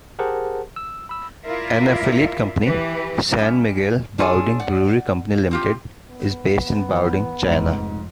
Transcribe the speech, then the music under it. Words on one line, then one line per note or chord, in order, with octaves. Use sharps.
An affiliate company, San Miguel Baoding Brewery Company Limited, is based in Baoding, China.
G4 G#4 A#4 C5 F#5 A5
E6
B5 E6
E4 F4 A#4 D5 E5 F5
E3 G4 B4
G3 C#4 E5
D4 F4 G#4 A4 C#5 D5
D5 F#5
C4 F4 G4
B3
E2
F1 G#2